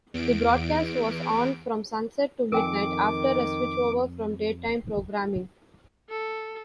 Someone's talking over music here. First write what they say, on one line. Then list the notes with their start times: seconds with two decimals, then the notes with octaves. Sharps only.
The broadcast was on from sunset to midnight after a switchover from daytime programming.
0.14 E2 D7
2.52 F2 D#3 A#4 G5 G#5 D6
6.10 A4